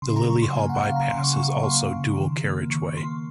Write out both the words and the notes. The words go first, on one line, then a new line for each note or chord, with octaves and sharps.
The Lillyhall bypass is also dual carriageway.
C#3 C6
A#5
F#3 C#6
C6
A#3 G#5
F#5
C#3 F5
A#5
C#3 C6
C#6
F#3 C#6
C#6
A#3 C6
C#3
D#3
A#3
D#3 C#6
A#3 C6